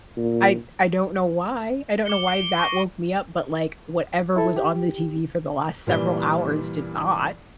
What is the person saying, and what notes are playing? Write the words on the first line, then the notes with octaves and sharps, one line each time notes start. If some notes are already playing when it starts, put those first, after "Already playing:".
I I don't know why I don't know why that woke me up, but, like, whatever was on the TV for the last several hours did not.
A#2
D6 C#7 G7
C7 D7
C#6 A#6
E4 A4 E5
G4
A#2 E3 G3 D5 G7